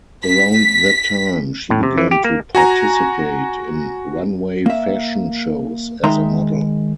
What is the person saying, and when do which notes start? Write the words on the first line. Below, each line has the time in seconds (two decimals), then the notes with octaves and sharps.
Around that time, she began to participate in runway fashion shows as a model.
0.24 B6
1.70 A2
1.83 C3
1.98 E3
2.11 G4
2.24 A#3
2.55 F#4 G#5 A#5
4.66 A#3 E5
6.04 D#3 G#3 D#4 E5 A#5 C6